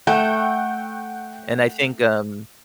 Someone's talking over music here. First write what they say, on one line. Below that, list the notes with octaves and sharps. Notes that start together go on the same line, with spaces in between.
And I think, um
A3 F#5 G5